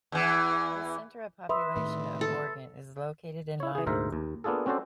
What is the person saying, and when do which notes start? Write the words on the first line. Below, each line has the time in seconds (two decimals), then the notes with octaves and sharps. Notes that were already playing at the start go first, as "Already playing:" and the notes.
The center of population of Oregon is located in Lyons.
0.12 E2 E3
1.49 B4 E5 B5 C6 D#6
1.76 A2 D#3
2.21 A4
3.60 E4 C#5
3.75 E3 G#4
3.87 D2 G#2 A#4 C5 E5
4.12 D#2
4.44 A#3 B3 D4 F4 G#4 A4
4.66 C4 C#4 F#4 A4 C5 D5